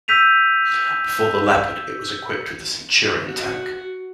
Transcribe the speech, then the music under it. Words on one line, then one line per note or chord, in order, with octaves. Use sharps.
Before the Leopard it was equipped with the Centurion tank.
E6 G6 B6 D#7 F7
F#4